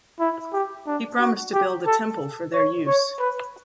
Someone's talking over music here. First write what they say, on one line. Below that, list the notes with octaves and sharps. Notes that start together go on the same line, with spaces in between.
He promised to build a temple for their use.
E4
G4
D4
F#4
G4
A4
C#5
C#5
B4